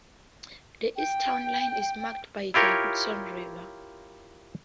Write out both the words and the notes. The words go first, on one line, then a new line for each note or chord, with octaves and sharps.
The east town line is marked by the Hudson River.
G5
E4 F4 G4 A#4 C#5